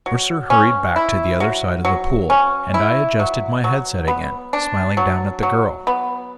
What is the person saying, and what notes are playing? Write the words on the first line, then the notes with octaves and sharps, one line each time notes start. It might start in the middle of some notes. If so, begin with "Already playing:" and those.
Mercer hurried back to the other side of the pool, and I adjusted my head-set again, smiling down at the girl.
F#3
C#4
E4
F#3
F#3
C#4
E4
F#3
F#3
B3
D4
F#3
F#3
B3